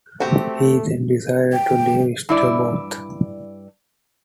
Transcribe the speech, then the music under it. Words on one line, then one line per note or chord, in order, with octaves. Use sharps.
He then decides to leave Stillborough.
A3 C4 F#4 G4 A4
G5
G2 E4 D5